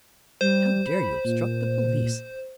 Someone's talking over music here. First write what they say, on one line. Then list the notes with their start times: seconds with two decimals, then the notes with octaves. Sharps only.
How dare you obstruct the Police?
0.41 G3 C5
0.86 B5
1.25 A#2